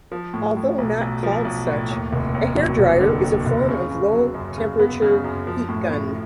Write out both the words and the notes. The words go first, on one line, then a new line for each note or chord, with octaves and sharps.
Although not called such, a hair dryer is a form of low-temperature heat gun.
F3
A2
A2
B1
B1
F3
B1
A2
D#2
F1
D#2
F#3
F1
D3
D#2
F1
C#3
C#3
F#3
F#2
C#3
B3
C#3
F#2
F3
A2
A2